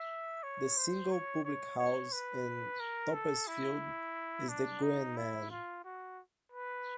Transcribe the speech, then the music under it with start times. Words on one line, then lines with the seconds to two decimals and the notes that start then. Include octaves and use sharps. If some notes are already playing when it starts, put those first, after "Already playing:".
The single public house in Toppesfield is the Green Man.
Already playing: E5
0.43 C#5
0.77 C5
1.12 C#5
1.45 C#5
1.79 C#5
2.12 B4
2.80 A#4
3.14 A4
3.48 E4
4.49 D4
4.83 D#4
5.17 E4
5.51 F4
5.85 F#4
6.52 B4